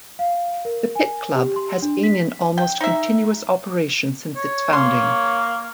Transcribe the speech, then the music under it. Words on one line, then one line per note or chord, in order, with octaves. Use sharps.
The Pitt Club has been in almost continuous operation since its founding.
F5
A#4
G#5
G4
C6
D4
B6
G5
D#4 E5
C#5
A#3 C6